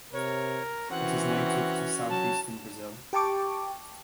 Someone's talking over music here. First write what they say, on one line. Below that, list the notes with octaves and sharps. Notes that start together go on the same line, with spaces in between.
It is native to southeastern Brazil.
C3 A#4 C#5
E3 C4 C#4 F#4 F#5
F#3 A5
G4 G5 A5 C#6 D6